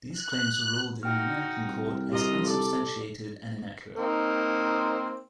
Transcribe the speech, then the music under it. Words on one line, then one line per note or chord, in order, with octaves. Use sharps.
These claims were ruled in an American court as "unsubstantiated and inaccurate".
F#6
D#4 F#4 G5 F6
C2
F4 G4 D#5 A#5
A4 D5
A#3 C4 D#4